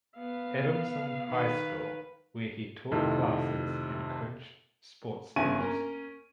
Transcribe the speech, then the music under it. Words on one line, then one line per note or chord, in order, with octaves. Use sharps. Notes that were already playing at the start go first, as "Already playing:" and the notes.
Adamson High School where he taught classes and coached sports teams.
B3 F5
D#3 B4
F2 A2 C3 D#3
G1 C#3 E4 G#5 C#6 D#7
A#3 C#4 A#4